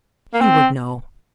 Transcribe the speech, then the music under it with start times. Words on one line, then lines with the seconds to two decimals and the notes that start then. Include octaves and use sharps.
He would know.
0.34 A#3
0.41 C4